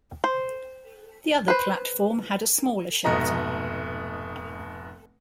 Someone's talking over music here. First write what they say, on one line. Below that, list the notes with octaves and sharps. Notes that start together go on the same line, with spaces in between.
The other platform had a smaller shelter.
C5
B4 C5
F1 G#2 B2 A3 D#5 A#5